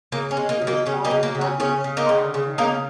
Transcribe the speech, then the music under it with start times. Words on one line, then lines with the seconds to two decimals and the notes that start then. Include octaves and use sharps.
He was born in Douglas, Isle of Man.
0.12 C#3 A#3
0.31 C#4
0.37 G#3
0.49 A#3 D#4
0.61 C#3
0.67 A#3 D#4
0.86 C#3 C#4
1.04 A#3 D#4
1.11 C#3
1.23 A#3
1.35 C#3
1.41 C#4
1.60 C#3 C#4
1.84 C#3
1.97 A#3 D#4
2.09 C#3
2.34 C#3
2.58 C#3 A#3 D#4